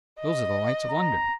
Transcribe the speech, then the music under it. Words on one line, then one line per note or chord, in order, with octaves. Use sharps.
Those are the lights of London.'
D#5
A#5